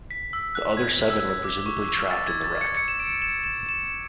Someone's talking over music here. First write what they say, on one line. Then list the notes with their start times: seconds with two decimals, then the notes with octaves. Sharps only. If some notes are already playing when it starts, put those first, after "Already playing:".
The other seven were presumably trapped in the wreck.
0.11 B6
0.33 E6
0.55 F#6
0.77 G#6
1.10 E6
1.44 D6
1.66 C#6
1.89 C#6
2.11 A6
2.28 G#6
2.44 A6
2.61 C#7
2.77 C#7
2.88 E7
3.00 D7
3.22 E7
3.44 E7
3.69 E7